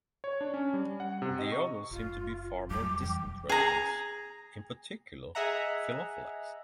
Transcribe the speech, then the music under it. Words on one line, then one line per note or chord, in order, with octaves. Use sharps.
The others seem to be far more distant relatives, in particular "Pelophylax".
C#5
D4
C#4
G3
F#5
C3
D#5
C#6
F#1 F4
F2 F#3 G3 D6
E1 E3 G5
G#4 A#5
G#4 D#5 E5 F#5 A#5